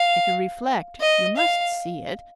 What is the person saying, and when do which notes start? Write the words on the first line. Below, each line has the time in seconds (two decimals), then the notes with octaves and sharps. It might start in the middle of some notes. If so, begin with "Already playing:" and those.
If you reflect you must see it.
Already playing: F5
1.00 D#5
1.37 F5